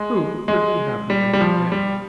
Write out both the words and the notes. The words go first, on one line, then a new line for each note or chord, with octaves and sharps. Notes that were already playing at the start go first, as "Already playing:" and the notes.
Who could be happier than they?
Already playing: G#3
G#3
G3
G3
F3
G3